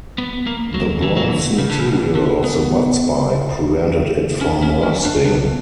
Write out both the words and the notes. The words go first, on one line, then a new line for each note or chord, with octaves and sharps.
The bronze material of the butt-spike prevented it from rusting.
B3
A#3
F#3
E3
F#3
E3
D3
C#3
D3
C#3
B2
D3
B3
C#4
C#4
C#4
D4
D4